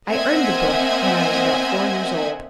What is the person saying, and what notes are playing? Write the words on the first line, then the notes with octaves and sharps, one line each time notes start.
I earned the book when I was about four years old.
A#3 C4 D#5 E5 F#5 G#5